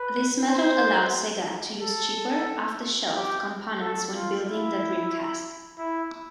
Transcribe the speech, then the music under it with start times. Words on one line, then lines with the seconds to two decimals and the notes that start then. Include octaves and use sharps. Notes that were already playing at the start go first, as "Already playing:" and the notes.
This method allowed Sega to use cheaper off-the-shelf components when building the Dreamcast.
Already playing: B4
0.49 C5
1.81 A4
3.14 G4
3.80 A4
4.12 F4
4.46 E4
5.78 E4